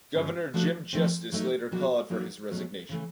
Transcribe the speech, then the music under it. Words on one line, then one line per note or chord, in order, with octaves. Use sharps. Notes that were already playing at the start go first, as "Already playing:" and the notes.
Governor Jim Justice later called for his resignation.
G2 D3 F3 G#3 C#4
F3 A3 D4 F#4 A4
F3 A3 C4
F#3 A3 C4 D#4
B2 F#3 A#3 D4 F#4
F#3 A#3 D#4 F#4
B2 F#3 A3 C#4
C#3 E3 A3